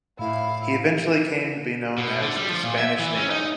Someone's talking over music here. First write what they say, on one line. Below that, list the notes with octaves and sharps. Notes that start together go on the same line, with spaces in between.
He eventually came to be known as the "Spanish Nadar".
A2 E4 F5 B5
B2
D3
G3
F3
A#2
E5
E3
C#4
D#4